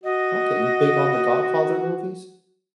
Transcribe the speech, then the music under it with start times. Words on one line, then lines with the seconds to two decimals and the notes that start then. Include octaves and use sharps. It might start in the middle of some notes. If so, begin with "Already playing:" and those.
Okay. You big on The Godfather movies?
0.04 F#4 D#5